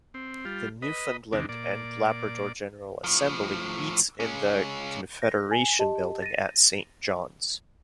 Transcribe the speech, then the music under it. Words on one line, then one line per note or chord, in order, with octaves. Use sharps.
The Newfoundland and Labrador General Assembly meets in the Confederation Building at Saint John's.
C4
G3 F4
B4 D#5
E2 C3 D#3 D4
A#2 D5
A2 F3
G#3 C#4
A#6
G#5
G4 D#5 A5
A6 A#6 D#7